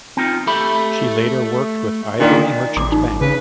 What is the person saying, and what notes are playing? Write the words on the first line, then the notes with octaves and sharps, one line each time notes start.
She later worked with Ivory Merchant Bank.
C4 D#4 F4
A3 G4 B5
A#2 D#3 D4
A1 D6
D#4
C#3 B4